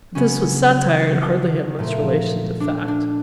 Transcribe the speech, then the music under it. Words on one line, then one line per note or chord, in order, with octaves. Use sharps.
But this was satire and hardly had much relation to fact.
C#3 F#3 B3 C#4
A#2 F3 A3
D4
D4